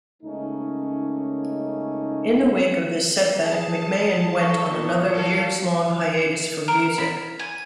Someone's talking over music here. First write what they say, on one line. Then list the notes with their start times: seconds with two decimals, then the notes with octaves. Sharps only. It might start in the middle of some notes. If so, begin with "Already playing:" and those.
In the wake of this setback, McMahon went on another years-long hiatus from music.
0.23 C#2 A3 A#3 C#4 D#4
3.42 G#4 A5
4.39 A4 C#6 A#6
4.71 A#2 B3
5.14 A4 A#4 C#5 F5
6.68 A#4
6.98 B5
7.39 G#5